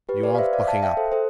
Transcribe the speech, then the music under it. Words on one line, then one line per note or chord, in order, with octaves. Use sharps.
You want bucking up.
G4 B4
B4 D5
F5
C5 E5
D5 F5
F5 A5
E5 G5
A4 C5
A4 C5